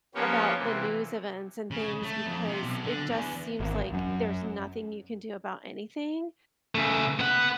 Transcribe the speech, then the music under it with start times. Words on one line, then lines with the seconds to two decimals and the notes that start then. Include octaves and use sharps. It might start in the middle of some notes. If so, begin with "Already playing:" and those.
about the news events and things because it just seems like there's nothing you can do about anything,
0.15 F3 A#3 B3 C#4 G4 C#5
0.58 C3 E3
1.71 C#3
2.03 A3
2.27 F2
2.46 C3
2.64 B1
2.84 D3
3.11 E2
3.60 G#1
3.93 F#2
6.75 C#3 A3
7.19 B3 F#5